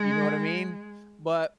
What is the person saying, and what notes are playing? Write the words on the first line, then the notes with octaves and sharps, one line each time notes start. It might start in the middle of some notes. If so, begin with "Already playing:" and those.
You know what I mean? But
Already playing: G#3